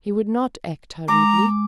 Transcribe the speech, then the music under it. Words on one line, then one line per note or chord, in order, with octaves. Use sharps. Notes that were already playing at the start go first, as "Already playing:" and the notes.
He would not act hurriedly.
G#3 A#5 D6